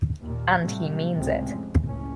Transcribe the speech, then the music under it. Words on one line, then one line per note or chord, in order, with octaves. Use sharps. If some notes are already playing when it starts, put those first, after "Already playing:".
And he means it.
D#2 A#2
A2 C3 F#3 G3 A3 A#3
C#2 A2 C3 G#3 C4 C#4
F2
F#1 C#2 A2 C#4